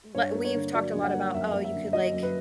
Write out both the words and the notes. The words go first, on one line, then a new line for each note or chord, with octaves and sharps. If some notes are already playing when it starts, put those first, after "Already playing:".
w we've talked a lot about, "Oh, you could, like,
G2 C#5
A#3
C#5
D3
F#3 D5
G2
F#5
A#3
F#2 E5
A#3
E5
D3
F#3 D#5
F#2
B4